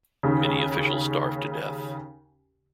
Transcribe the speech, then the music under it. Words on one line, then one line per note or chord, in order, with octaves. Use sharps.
Many officials starved to death.
D#2 C#3